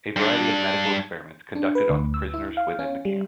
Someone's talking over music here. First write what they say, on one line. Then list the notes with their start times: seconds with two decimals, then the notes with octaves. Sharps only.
A variety of medical experiments conducted on the prisoners within the camp.
0.16 G2 D4
1.55 D4
1.75 B4
1.90 D2
2.14 E6
2.34 E4
2.57 F5
2.79 C#4
3.05 G3